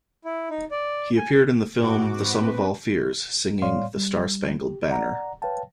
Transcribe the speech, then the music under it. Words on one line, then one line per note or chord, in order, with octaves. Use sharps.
He appeared in the film "The Sum of All Fears" singing "The Star-Spangled Banner".
E4
D#4
D5
G#5
G#2 F#4 D6
C4 B4
A2 G3 C#5 D5 F5 C6
G3
G4
D5 F#5 A#5
B4 C#5 F5 G5 A5